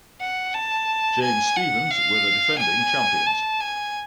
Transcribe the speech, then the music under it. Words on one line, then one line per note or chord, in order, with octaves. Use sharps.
James Stephens were the defending champions.
F#5
A5
G#5
F#5
F5
G#5
A5
G#5